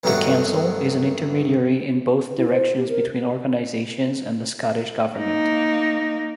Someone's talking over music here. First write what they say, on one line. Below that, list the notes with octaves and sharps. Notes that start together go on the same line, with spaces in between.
This council is an intermediary in both directions between organisations and the Scottish government.
B1 G2 B2 D#3 A3 F#4
E4
C5
G4
A#4
A#3 D#4